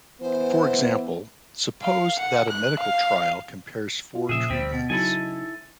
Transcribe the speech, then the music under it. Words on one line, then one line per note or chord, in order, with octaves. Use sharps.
For example, suppose that a medical trial compares four treatments.
E3 B3 C5
F5
F#5
F#6
F5
F4
A#2 C#3 F3 G#4 E5
D2 G3 C4 B6
B2
C#3 F#3 D#4 E4 A4 G#5